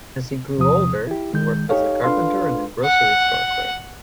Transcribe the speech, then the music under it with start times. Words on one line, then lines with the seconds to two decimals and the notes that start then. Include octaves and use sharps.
As he grew older, he worked as a carpenter and a grocery store clerk.
0.58 E2 C3 F3 D#6
1.07 E4 G4
1.34 D#3 G#3 G6
1.69 D#4 G4 A4 C#5 F5
2.04 D4 F4 A4 B4 F5 C6
2.85 F#5